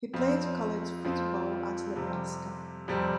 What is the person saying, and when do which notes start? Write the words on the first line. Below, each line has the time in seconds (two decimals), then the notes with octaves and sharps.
He played college football at Nebraska.
0.13 F2 F3 C4 F4
1.05 F2 F3 C4 F4
1.95 F2 C3 G3 C4
2.88 F2 C3 G3 C4